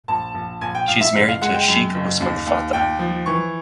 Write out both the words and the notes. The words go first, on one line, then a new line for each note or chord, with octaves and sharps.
She is married to Sheikh Usman Fateh.
A#1 A5
A#1
A#1 G#5
G5
A#1 F5
E5
F#1
F5
G#3 F#5
G5
F#2
F#1
D#2
D#2
D#2 G5
F3
E3 C#6